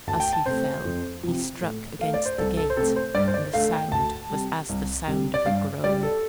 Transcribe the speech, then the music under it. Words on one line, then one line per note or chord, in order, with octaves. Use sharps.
As he fell he struck against the gate, and the sound was as the sound of a groan.
D2 A5
G5
A5
C3 A3 C5
F2
C3 F3
A2
A3 F5
D5
C5
C2 A4
A4
C5
C3 A3 A4
C5
G2 D5
C5
D5
D3 A3 F5
G5
D2 A5
C3 G3
C2
C3 G3
D5
G2 F5
G3 D5
A4